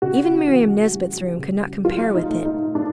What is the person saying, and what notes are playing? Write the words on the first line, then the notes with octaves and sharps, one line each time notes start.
Even Miriam Nesbit's room could not compare with it.
C#3 F#4
E3
G3
C#3
F#3 F4
D#4
A3
D#4
A3 D4